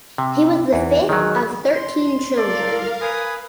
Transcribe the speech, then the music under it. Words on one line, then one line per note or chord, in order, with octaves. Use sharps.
He was the fifth of thirteen children.
C3
E2 E3
D#3 F#3 G#3
C6
A4 A#4 D5 F5
B4 G#5 D#6